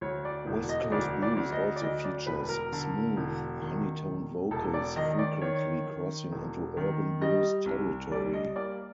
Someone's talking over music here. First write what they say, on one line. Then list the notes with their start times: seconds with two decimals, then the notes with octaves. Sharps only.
West Coast blues also features smooth, honey-toned vocals, frequently crossing into urban blues territory.
0.01 D2 C#5
0.25 D5
0.47 E1
0.69 D#5
0.92 D2 D5
1.22 D5
1.36 D2
1.52 D#5
1.76 D5
1.81 D2 D#5
2.04 D5
2.26 E1 B4
2.49 A#4
2.72 D3
3.17 E1
3.61 D#3
4.07 E1
4.51 E1 A4
4.74 D5
4.96 D#3 D#5
5.19 D5
5.41 D#3 C#5
5.86 D#3
6.32 E1
6.77 D#3
7.21 G3 D#5
7.66 C2
8.11 G3 D5
8.34 D#5
8.56 A#3 D5